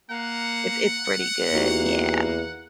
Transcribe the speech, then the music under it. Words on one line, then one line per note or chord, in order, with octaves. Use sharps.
it's it's pretty good. Yeah,
A#3 F#5
E2 A#3 D#4 F#4 G4